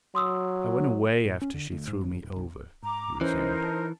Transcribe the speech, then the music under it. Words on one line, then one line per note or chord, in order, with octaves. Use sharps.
"I went away after she threw me over," he resumed.
F#3 C6 D#6 E6
A2
C#4
D3
D2
G#2
G1
D1
B1
G#2 A#5 D6
E3 C#4 D#4 A#4 C5
A5